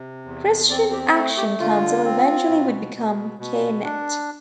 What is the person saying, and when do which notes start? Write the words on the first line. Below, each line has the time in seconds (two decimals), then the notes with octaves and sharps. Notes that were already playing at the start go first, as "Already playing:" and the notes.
Christian Action Council eventually would become Care Net.
Already playing: C3
0.25 E2
0.70 C4 D5
0.92 G4
1.15 A3 A4
1.37 G4
1.60 D3 F4
2.05 C4
2.49 B2
2.94 B2
3.39 B2
3.84 D4